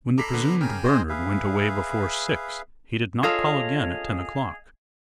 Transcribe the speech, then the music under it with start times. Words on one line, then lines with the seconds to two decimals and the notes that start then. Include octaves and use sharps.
When the presumed Bernard went away before six, he did not call again at ten o'clock.
0.18 A4 A#5 B5 D6 B6 C7
0.33 D3 B3
0.61 C#3 A#4 G5 G#5
0.84 G#4 C5 D#5
1.09 G#4 B4 E5 F5
3.23 F4 G#4 A4 C#5 D#5 F5